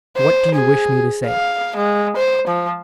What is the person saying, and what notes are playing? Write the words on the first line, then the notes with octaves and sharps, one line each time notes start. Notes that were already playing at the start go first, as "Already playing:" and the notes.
"What do you wish me to say?"
C5
G#4
F5
G#3
C5
F3